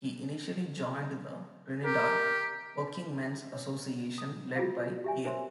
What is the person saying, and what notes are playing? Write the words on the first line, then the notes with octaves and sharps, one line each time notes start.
He initially joined the Trinidad Workingmen's Association led by A.
G4 A#4
C#5
D#6
F4 F#4 G#4 F5
G4 E5 G#5
D4 A#4 C5 C#5 E5 C6